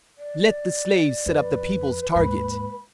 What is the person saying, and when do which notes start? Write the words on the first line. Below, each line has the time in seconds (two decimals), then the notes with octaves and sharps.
Let the slaves set up the people's target.
0.18 D5
1.26 F2 B4
2.16 D#2 G#2 B5